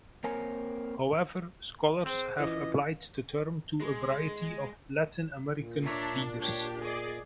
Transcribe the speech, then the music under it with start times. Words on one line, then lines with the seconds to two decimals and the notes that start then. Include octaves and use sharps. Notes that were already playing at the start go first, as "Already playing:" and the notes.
However, scholars have applied the term to a variety of Latin American leaders.
0.24 A#3 C4 A#4 C#5 G#5
2.05 C4 G#4 C5
2.40 E3 C#4 F4 D#5 D6
3.80 G#3
5.55 A#2
5.86 D4 C#5 E5 A#5
6.41 D4 G4 C#5
6.83 G#4 D5 D#5 D6